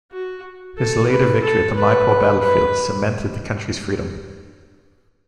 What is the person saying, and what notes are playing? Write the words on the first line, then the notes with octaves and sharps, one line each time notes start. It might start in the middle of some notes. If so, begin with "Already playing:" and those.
His later victory at the Maipo battlefield cemented the country's freedom.
F#4
A4
B4
A4
B4
B4